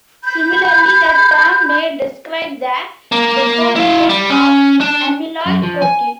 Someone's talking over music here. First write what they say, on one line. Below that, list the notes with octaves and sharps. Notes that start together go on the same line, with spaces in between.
Similarly, the term may describe the deposition of amyloid protein.
B5 G6
A#3
E4 F5
G3
C#4
D4
F#2
F3
G#5